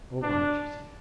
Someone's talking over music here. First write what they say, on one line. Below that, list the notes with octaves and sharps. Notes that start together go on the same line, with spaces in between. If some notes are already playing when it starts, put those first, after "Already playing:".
"All right," she said.
D4